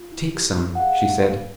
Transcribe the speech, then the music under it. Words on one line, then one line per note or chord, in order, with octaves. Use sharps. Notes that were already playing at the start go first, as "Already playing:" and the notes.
"Take some," she said.
Already playing: F4
E4
G4
C#4
F#5
G#4 F5